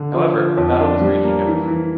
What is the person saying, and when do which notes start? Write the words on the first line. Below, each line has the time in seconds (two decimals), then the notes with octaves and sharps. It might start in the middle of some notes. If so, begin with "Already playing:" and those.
However, the battle was raging everywhere.
Already playing: D3
0.14 F3
0.35 F3
0.57 F2
0.79 D4
1.01 G3
1.24 A#3
1.46 E3
1.68 E3